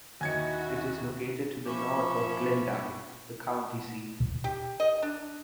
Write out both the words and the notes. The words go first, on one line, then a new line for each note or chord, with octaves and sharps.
It is located to the north of Glendive, the county seat.
D#2 C#4 D#4 E4 F#4 G#5 G#6 C#7
F3 C#4 E5 B5 C#6 D6
G4
D#5
D4